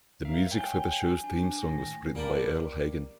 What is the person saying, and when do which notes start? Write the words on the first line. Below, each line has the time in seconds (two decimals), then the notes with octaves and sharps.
The music for the show's theme song was written by Earle Hagen.
0.25 A#4 E5 F5
0.50 C#5 F5 G5 G#5 G6 G7
1.24 D4 G#5
1.62 A2 D#3 A#6
2.15 G3 A#3 A#4 G5 A5 B5